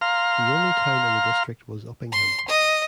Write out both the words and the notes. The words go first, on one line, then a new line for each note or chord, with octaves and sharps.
The only town in the district was Uppingham.
F5 A#5 C6 F6
C6
D#5